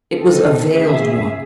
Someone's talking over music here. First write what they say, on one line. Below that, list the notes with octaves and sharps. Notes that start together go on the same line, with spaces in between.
It was a veiled one.
C4 D#4 A4
D#2 C#3 G#4 E5